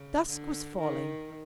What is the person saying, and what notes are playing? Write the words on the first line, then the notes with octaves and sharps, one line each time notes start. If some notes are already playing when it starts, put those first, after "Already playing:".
Dusk was falling.
Already playing: C#3
D3
D#3